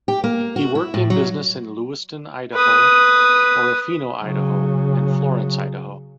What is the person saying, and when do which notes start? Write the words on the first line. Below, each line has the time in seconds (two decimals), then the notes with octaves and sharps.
He worked in business in Lewiston, Idaho; Orofino, Idaho; and Florence, Idaho.
0.08 G4
0.24 A#3
0.56 F#4
0.75 E4
0.94 A2
1.10 F#3
2.54 B4 D#6
4.23 C#3 F#3